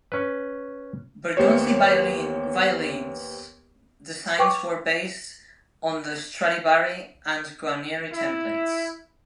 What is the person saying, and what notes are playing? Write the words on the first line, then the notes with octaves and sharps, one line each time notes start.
Bergonzi violin designs were based on the Stradivari and Guarneri templates.
C#4 B4
D#2 B3 G4 C5 C#5
B4 G5 C#6 D6
E4